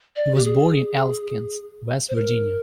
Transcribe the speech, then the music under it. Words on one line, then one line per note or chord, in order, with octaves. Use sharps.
He was born in Elkins, West Virginia.
D5
G4
G#4
C5
A#4